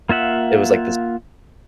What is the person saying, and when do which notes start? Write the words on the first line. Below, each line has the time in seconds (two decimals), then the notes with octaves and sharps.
It was like this
0.09 A#3 F4 E5 F#5